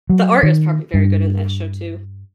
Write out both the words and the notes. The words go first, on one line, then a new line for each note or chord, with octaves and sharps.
the art is probably very good in that show too,
F#3
D#3
G2